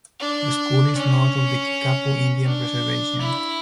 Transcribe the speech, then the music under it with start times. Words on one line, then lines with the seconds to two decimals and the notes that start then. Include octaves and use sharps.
The school is north of the Kickapoo Indian Reservation.
0.20 D4
0.95 C#4
2.46 D4
3.21 E4